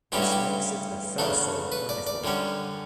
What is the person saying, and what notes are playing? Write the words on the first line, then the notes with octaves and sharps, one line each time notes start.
This makes it a Fedosov manifold.
A1 G2 E3 G3 C#4 G4
F#4
G4
E2 C#3 F#3 A3 D4 A4
B4
D5
D5
F#2 D3 G3 C#4